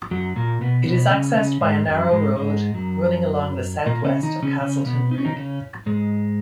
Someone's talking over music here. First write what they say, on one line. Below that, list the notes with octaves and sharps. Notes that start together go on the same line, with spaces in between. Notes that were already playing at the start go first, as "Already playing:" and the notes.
It is accessed by a narrow road running along the southwest of Castleton Rig.
F#2 F#3
A#2 A#3
B2 B3
B2 B3
C#3 C#4
C#3 C#4
G#2 G#3
F#2 F#3
G#2 G#3
G#2 G#3
F#2 F#3
A#2 A#3
C#3 C#4
D#3 D#4
C#3 C#4
C#3 C#4
B2 B3
D#4
C#4
D#3 D#4
C#3 C#4
G#2 G#3